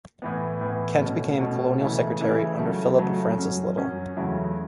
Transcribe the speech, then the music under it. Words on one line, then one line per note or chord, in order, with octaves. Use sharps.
Kent became Colonial Secretary under Philip Francis Little.
A2 E3 B3
A2 E3 B3
B2 A3 C#4
B2 A3 C#4
C#3 E3 A3 E4
C#3 E3 A3 E4
C#3 F#3 A3
C#3 F#3 A3
F#2 F#3 C#4
F#2 F#3 C#4
E2 C#3 F#3 A3 E4